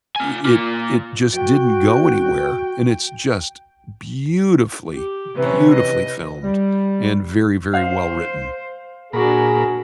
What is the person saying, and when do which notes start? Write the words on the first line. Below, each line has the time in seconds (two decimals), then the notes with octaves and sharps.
i i it just didn't go anywhere, and it's just beautifully, beautifully filmed and very, very well written.
0.16 F4 G#5
0.46 A#3 F4
1.32 F#4 G5
4.94 G4
5.37 C3 E3 C#4 B4
5.70 D#5
6.43 G3
7.73 C5 F5
9.13 A#2 D4 F#4 G#4 A#4 B5